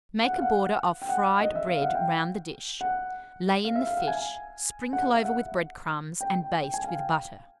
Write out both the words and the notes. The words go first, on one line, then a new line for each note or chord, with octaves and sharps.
Make a border of fried bread round the dish, lay in the fish, sprinkle over with bread crumbs, and baste with butter.
F#5
F5
F#5
G5
F#5
D#5
E5
F5
F#5
G5
F#5
F5
E5
F5
F#5
G#5
F#5
F5
E5
F#5
G5
G5
G5
G#5
F5
G5